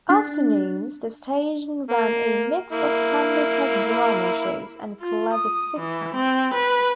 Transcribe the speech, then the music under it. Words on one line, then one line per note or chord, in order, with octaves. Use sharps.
Afternoons the station ran a mix of family type drama shows and classic sitcoms.
D4
A#3
A#3 E4
F4
D#6
E3
C4
B4